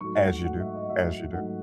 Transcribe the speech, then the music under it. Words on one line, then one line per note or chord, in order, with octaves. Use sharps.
As you do. As you do.
G#2 F#3 A3 C#6
F#5
G#2 F#3 A3 F#5
E5
D#5
G#2 F#3 A3 E5
G#2 F#3 A3 F#5